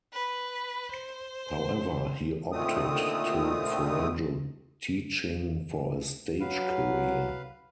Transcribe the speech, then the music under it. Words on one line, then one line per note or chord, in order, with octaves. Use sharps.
However, he opted to forego teaching for a stage career.
B4
C5
A#2 D3 D#3 A3 C4 D#6
F#3 B4 F5